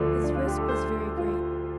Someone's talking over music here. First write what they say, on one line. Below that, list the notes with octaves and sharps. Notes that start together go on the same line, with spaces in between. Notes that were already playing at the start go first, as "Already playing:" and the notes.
His risk was very great.
Already playing: D2 D3 F3 A3 D5
D4
F4
G4
A4
C5
F4